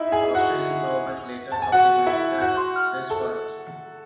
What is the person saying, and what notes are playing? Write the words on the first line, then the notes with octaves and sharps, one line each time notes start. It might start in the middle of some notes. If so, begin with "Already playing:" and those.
The Australian Government later supplemented this fund.
Already playing: D#4 E4 E5
G#4 G#5
F#4 F#5
A5
G#5
F#4 F#5
E4 E5
F#4 F#5
A4 A5